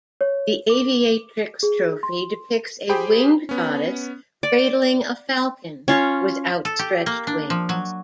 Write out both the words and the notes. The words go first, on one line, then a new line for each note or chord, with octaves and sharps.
The aviatrix trophy depicts a winged goddess cradling a falcon with outstretched wings.
C#5
D6
G#4
C6
G4 G#4 C5 G5 B5
B3 C#4
D5
C#4 F4 C#5
A4
G4
A#3
D4
F3
F#3